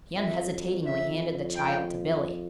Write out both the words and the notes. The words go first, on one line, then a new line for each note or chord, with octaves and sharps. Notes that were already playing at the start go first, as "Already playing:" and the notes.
He unhesitatingly handed the child to Billie.
F2 E5
E5
G5